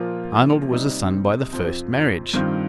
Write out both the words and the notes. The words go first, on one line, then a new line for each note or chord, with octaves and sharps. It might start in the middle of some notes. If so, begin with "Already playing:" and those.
Arnold was a son by the first marriage.
Already playing: A#2 F3 A#3 F4
C3 G3 C4 D#4
F2 F3 C4
G2 D#3 C4 F4